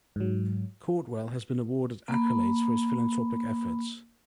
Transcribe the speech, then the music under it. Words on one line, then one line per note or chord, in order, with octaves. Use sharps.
Caudwell has been awarded accolades for his philanthropic efforts.
G#2 F#3
A#3 B5